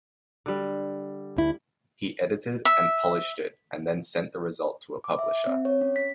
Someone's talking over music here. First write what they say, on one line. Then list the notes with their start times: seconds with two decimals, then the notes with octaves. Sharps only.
He edited and polished it and then sent the result to a publisher.
0.46 D3 G3
1.37 D2 E4
2.65 E5
5.04 D6
5.19 E5
5.47 C4
5.65 C#5
5.81 C#4
5.96 B6